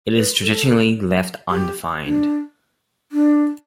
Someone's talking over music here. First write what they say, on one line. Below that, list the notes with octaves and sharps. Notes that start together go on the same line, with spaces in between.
It is traditionally left undefined.
B4
A4
G4
D4
D4